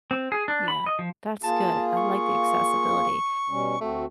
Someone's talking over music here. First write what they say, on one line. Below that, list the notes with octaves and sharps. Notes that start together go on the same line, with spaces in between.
Yeah, that's good. I like the accessibility.
C4
G#4
D4
B5
D#5
F3
A#3 F4 G#4 A5
C#6
B2 G3 C#4
D2 A3 C4 F#4